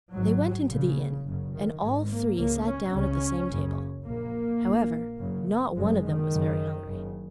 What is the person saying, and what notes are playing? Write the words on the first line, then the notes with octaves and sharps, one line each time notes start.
They went into the Inn and all three sat down at the same table. However, not one of them was very hungry.
G#1 G#2 F#3
A#1 A#2 C#3
F#1 F#2 C#3
D#3
G#1 G#2 G#3
A#3
C#2 C#3 A#3
C#4
C#2 C#3 C#4
F#1 F#2 C#3
A#1 A#2 A#3
A#1 A#2
F#1 F#2 C#3
F#1 F#2 C#3 G#3
D#3
F#1 F#2 C#3
F#1 F#2 C#3